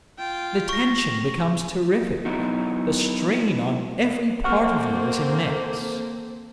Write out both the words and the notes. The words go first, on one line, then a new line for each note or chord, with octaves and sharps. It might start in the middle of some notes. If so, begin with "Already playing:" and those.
The tension becomes terrific, the strain on every part of you is immense.
F4 G5
C#6 A#6
F#3 B3 D#4 E4 F#4
A#3 C4 A4 F#5 C#6 F6